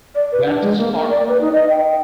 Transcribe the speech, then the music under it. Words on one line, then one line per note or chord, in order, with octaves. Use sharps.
That's as far
D5
B4
D4
G#3
A#3
A#3
D5
B4
D#4
D#5
G5